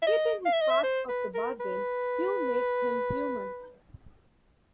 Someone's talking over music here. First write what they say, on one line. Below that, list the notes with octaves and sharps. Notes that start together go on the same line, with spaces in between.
Keeping his part of the bargain, Q makes him human.
E5
D#5
F5
E5
D#5
E5
C5
B4
A#4
B4